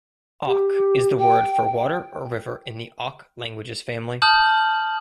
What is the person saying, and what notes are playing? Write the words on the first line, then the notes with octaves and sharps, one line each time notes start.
"Ok" is the word for water or river in the Ok languages family.
G4
G5
A5 D#6 F6 G6 F#7